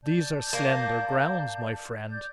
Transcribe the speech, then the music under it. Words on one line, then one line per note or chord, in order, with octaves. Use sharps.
'These are slender grounds, my friend.'
D5 A5 G6
A#3
D5 G6